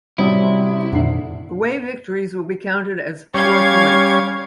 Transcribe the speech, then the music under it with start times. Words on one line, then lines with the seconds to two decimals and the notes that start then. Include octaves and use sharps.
Away victories will be counted as four points.
0.18 A1 C3 F#3 G3 E4 C#5 D5 D#6
0.93 F2 A#2 D3 D#3 C7
3.34 G3 C#4 C#5 F5 G#6